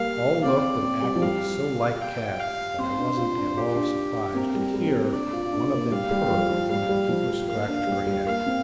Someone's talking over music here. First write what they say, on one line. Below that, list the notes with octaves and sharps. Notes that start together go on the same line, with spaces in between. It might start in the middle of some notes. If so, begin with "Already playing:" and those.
All looked and acted so like cats that I wasn't at all surprised to hear one of them purr when the keeper scratched her head.
Already playing: G3 A#3 F5
C4 D5
C4
G3
F3
G3 F5
G5
F5
C4 C5
D4
F4
D4
F4 G4
D4
C4 A#4
G3
G3
C4
A#3
D4 D5
F4
F4
D4
A#3
G3 F5
G3
G3
F3
F3
G3 F5
G3
F3
G3
A#3 F5
D4
G3
G3
A#3 F5
C4